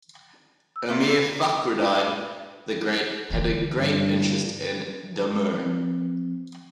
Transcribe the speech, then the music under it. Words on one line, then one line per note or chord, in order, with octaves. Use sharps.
Emir Fakhreddine the Great had a great interest in Damour.
E6
A#3 E4 F4
D3 E3
G2
F3 C4